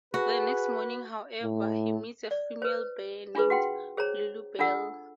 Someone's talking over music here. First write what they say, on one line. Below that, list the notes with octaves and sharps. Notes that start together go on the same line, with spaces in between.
The next morning however, he meets a female bear named Lulubelle.
F#4 G#4 B4
A2
D5
B4 C5
D4 F4 G#4 B4
F#4 F#5 G5 C6
G#4 C5 C#5 A#5
D4 F4 A4 F#5 E6